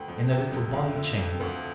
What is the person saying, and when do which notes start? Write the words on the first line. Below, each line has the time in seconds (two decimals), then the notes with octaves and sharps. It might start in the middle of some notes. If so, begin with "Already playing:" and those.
In a little by-chamber....
Already playing: D2 G5
0.08 F2
0.31 C3
0.52 F2
0.74 F2 F5
0.96 D3
1.17 F2
1.40 D2